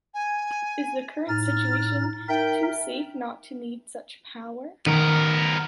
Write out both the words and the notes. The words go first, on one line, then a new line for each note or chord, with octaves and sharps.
Is the current situation too safe not to need such power?
G#5
A2 D#4 F6 A6
D#4 A#4 E5 G5
D#3 B3 A#4